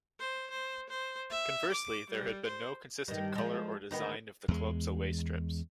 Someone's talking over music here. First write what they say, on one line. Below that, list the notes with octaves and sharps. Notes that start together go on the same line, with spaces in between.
Conversely, there has been no consistent colour or design of the club's away strips.
C5
C5
C5
E5
D6
G3
C5
G2 D#3
F3 G#3
D2 D#3 B3
E2 G#3